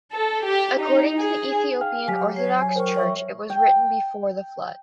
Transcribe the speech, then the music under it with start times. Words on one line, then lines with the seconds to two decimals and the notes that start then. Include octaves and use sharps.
According to the Ethiopian Orthodox Church it was written before the Flood.
0.12 A4
0.45 G4
0.80 D#4
1.21 G#4
1.81 F5 G5 F6
2.08 F#3 G4 G#5 B6
2.36 C#5 C7
2.62 G#5
2.76 A#4 C5 G5 C#6
2.96 C#5 E5 C#6
3.50 G5